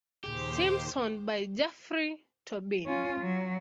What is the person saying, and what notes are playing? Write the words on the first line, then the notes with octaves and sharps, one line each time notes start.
Simpson by Jeffrey Toobin.
D#2 A#2 C#3 G4 G#4 C5
C#4 F4
F#3